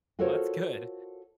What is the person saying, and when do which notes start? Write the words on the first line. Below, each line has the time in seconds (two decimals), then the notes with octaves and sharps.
well, that's good.
0.19 F4 F#4 A4 A#4 C5 C#5